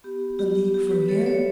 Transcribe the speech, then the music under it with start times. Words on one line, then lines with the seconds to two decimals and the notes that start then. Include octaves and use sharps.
"A league from here."
0.04 B3 G4
0.22 F#4
0.39 F#3 G4
0.57 F#3
0.74 B3 G4
0.91 F#4 G4 B4
1.08 F#3 A4 C#5
1.21 D5
1.26 F#3 C#5 E5